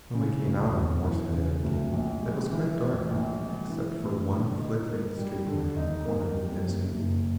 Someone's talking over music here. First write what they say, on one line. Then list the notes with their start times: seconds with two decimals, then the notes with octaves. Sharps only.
When we came out on the Morskaya again it was quite dark, except for one flickering street-light on the corner of the Nevsky.
0.14 C#3
0.44 D2
0.74 E1
1.03 E3
1.33 C#3
1.63 D2
1.92 A#1
2.22 G#3
2.51 E3
2.80 A2
3.10 A#1
3.40 G#3
3.69 E3
3.99 A2
4.28 D3
4.58 D#4
4.88 A#3
5.17 G3
5.47 D3
5.76 D#4
6.06 A#3
6.35 G3
6.65 F#1
6.95 F#1